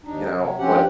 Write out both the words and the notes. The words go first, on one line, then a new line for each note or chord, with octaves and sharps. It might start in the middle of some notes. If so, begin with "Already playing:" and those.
you know, what
D#2 D4 D#4
C3 F#3
G2 F3 C4 C#4 G4 F#5